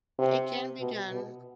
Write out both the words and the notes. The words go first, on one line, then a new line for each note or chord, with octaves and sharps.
It can be done.
C3
B2
B2